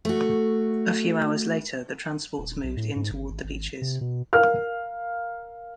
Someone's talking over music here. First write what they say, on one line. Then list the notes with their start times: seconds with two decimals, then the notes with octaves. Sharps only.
A few hours later, the transports moved in toward the beaches.
0.05 A3 F#4
2.38 D#1
2.64 B1
2.77 A2
2.96 G#2
3.11 G1
3.30 G#1
3.44 G#1
3.82 C3
4.01 B2
4.33 A#4 F5 F6